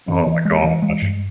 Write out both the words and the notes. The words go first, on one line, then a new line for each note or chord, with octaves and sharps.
Oh my gosh.
E3
E3
G#3
E3
G#3
G2